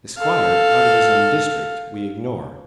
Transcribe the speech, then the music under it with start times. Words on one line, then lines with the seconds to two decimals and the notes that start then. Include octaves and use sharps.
The Squire, out of his own district, we ignore.
0.18 A4 F5